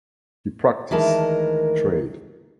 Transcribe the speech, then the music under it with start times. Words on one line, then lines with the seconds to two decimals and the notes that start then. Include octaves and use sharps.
He practiced trade.
0.90 D2 D#3 E3 G#3 A#4 A5